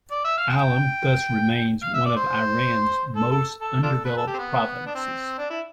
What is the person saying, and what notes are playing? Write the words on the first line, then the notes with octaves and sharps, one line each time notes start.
Ilam thus remains one of Iran's more undeveloped provinces.
D5
E5
F5
G5
F5
E5
D5
C5
A4
A4
A4
D4 F4 A4
B4
A4
G4
C4
B3
D4
C4
D4
E4